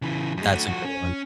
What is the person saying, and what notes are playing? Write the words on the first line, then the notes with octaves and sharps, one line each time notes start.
That's a good one.
C#3 E3
F#2 G#3
A3 F#4
F3 F#4
C#4